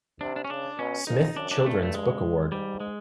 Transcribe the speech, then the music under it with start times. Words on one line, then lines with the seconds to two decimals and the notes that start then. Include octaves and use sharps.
Smith Children's Book Award.
0.21 C3 D4
0.36 D4
0.45 C#4
0.50 C#3 D4
0.78 B2 C#4
1.07 F2 D#4
1.36 F#2 D4
1.51 D4
1.65 G2 A3
1.83 A3
1.95 G#3
2.52 G#2 G3
2.80 G#3